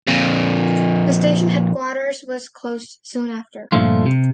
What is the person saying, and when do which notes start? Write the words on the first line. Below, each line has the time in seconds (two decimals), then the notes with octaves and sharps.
The Station Headquarters was closed soon after.
0.07 F2 A#2
3.72 G2 A#2 D3 F3 A3 F4
4.06 C3